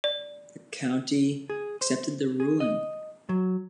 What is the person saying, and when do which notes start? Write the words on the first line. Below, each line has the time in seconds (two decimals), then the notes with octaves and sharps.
The county accepted the ruling.
0.04 D5
1.50 G#4
1.81 C5
2.40 G#4
2.60 D#5
3.29 F#3